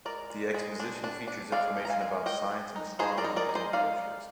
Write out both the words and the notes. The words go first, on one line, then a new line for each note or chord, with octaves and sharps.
The exposition features information about science and astronomy using pictures.
G#3 A#4 D5
G#3
G#3
D4
D4
D4
G#3 D5 F5
D#4
A#5
F5 G#5
G#3
G#3 D#5 G5
G#3
D#4
D#4 G#4 C5
A#4 D5
D#4
A#4 D5
G#3
C5 D#5
D#4 D5 F5
G#3